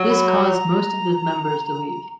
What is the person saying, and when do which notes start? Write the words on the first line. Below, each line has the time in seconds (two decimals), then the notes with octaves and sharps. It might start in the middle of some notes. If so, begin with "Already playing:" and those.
This caused most of the members to leave.
Already playing: F#3
0.09 B5
0.27 A#5
0.45 A#5